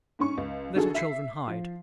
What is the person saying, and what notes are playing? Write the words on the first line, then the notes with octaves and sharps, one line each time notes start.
Little children hide.
G#2 C#4 C#6
C#2
D3 D#4 F#4 G#4 A4
E5 B6 C7
F3